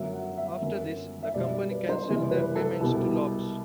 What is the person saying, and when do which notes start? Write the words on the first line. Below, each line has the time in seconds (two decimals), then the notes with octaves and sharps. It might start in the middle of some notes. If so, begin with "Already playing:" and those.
After this, the company canceled their payments to Iops.
Already playing: G1 F#2 F#3 E5
0.13 F#5
0.37 E5
0.62 G1 F#2 F#3
1.23 E5
1.34 B1 B2 G3 D5
1.53 D5
1.71 B4
1.89 C5
2.07 F#1 E2 C3 G3 D5
2.31 B4
2.55 A4
2.80 C2 B2 G3